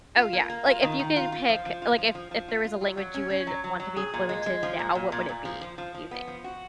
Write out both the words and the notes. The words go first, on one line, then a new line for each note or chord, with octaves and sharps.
Oh, yeah. Like, if you could pick like, if if there is a language you would want to be fluent in now, what would it be, do you think?
F4
A#3
A#3
F4
D#3
D#3
F4
F4
F3
F3
F4
F3
F3
F3
F4
F4
F#3
F#3
C#4
C#4
F#3
F#3
F#3
G#4
A#2
G#3
G#3
F3
A#2
A#2
A#2
A#2
F3
F3
F3
F3
B3
F3
F#4